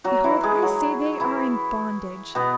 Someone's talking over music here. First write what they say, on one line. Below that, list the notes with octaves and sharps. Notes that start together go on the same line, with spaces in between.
Behold, I say they are in bondage.
F#3 F#4
E3 E4
G#3 G#4
F#3 F#4
E3 E4
B2 B3